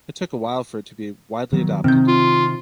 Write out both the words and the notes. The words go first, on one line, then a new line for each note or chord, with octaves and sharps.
It took a while for it to be widely adopted.
D#3 F#3 B3
C3 D#3 C4 G6
F4